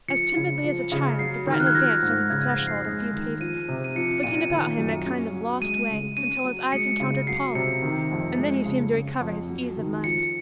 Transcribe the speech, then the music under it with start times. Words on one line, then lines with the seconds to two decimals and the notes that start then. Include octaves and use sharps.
As timidly as a child the Breton advanced over the threshold a few paces, looking about him in a kind of "lost" way until his eyes encountered Paula, and then he seemed to recover his ease of mind.
0.08 F3 C#7
0.36 C#3
0.64 F3
0.92 C#3
1.19 F#3 C7
1.46 D#3
1.52 F6
1.60 F#6
1.67 G#6
1.74 F3 A#6
2.02 G#2
2.30 C#3 G#6
2.49 A#6
2.57 F2
2.67 C7
2.85 G#3
3.13 D#3
3.40 F3 D#7
3.69 C3
3.84 D#7
3.96 F3 C#7
4.23 A#2 D#7
4.51 D#3
4.78 F#2
5.06 C#4
5.34 F#3
5.62 G#3 D#7
5.90 C#3
6.17 C#4 D#7
6.44 F#3
6.72 G#3 C#7
7.00 C#3
7.27 F#3 C7
7.55 C3 C#7
7.82 D#3
8.11 F2
8.38 G#3
8.66 C#3
8.93 C#3
9.21 F2
9.49 F#3
9.77 D#3
10.04 F3 C#7